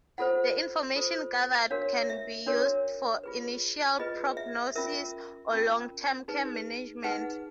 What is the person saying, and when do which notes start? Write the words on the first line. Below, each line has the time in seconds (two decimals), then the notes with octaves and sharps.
The information gathered can be used for initial prognosis or long-term care management.
0.18 F4 A4 C5 F#5
0.95 F4 A4 C5
1.70 D4 F#4 A#4 C#5 F5
2.10 E5
2.46 D4 F#4 A#4 C#5
3.23 F4 G#4 B4
3.99 F4 G#4 B4 D#5
4.37 E5
4.75 C#4 F4 A#4 E5
5.52 C#4 F4 A#4
6.28 D#4 G#4 B4
7.04 D#4 G#4 B4 F#5